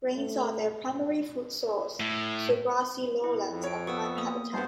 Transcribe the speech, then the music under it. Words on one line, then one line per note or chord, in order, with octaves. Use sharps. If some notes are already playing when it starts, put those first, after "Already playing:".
Grains are their primary food source, so grassy lowlands are prime habitat.
A3
A2
B2 E4
F2
C4 C#5 D7
B3 C#6 D#6 E6
A#3 D#6
G2 B3 C5